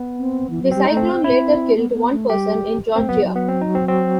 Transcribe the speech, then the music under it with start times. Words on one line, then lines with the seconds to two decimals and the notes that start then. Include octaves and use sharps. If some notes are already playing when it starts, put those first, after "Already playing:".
The cyclone later killed one person in Georgia.
Already playing: B3
0.19 C4
0.50 E3
0.62 F#3
0.71 G3 C4
0.84 D#4
0.90 A3
0.97 C4
1.24 C4 E4
1.76 B3
1.90 A3
1.94 B3
2.11 A3
2.30 G3 G4
2.95 A3 C4
3.09 F#3 B3
3.22 F#3
3.35 B3
3.48 C4
3.61 D#4
3.75 C4
3.88 C4